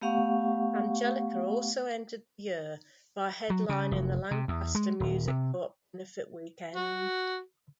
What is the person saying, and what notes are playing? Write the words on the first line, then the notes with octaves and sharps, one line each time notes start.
Angelica also ended the year by headlining the Lancaster Music Co-op benefit weekend.
A3 B3 G4 F5 F#5 C#6
F#3
C#3
F1
C3
E2
G#3
D#1
C3
F#4